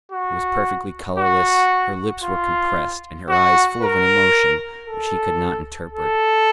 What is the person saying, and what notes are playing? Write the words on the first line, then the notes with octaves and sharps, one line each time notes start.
It was perfectly colourless, her lips were compressed and her eyes full of an emotion which he could not interpret.
F#4
F#4
F4
F#4
A#4
A4
A4